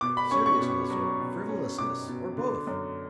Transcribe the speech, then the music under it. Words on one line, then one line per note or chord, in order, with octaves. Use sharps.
Seriousness or frivolousness or both.
B2 D6
B5
C#4 C#6
C#6
B2
F#3
B2
C#4
B2 D6
B2
D3
F#2